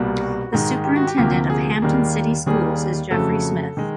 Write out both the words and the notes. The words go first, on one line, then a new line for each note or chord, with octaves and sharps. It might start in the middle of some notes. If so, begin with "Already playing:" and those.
The superintendent of Hampton City Schools is Jeffrey Smith.
Already playing: C2 B2 G3 A#3
F#4
G#2 D#3 G#3
G4
F#4
G4
D2 C3 F3 A#3
G#4
D#2 D#3 G3 A#3
D#2 D#3 G3 A#3 G#4
F2 C#3 F#3 A3 A4
D#3 G#3